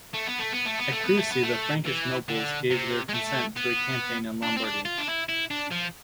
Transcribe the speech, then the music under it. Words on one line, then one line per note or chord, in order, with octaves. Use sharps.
At Quiercy the Frankish nobles finally gave their consent to a campaign in Lombardy.
A3
B3
A3
B3
A3
B3
A3
B3
A3
B3
A3
E3
D3
C3
G#3
A3
B3
D4
C4
D4
F4
D4
E4
E4
D4
F3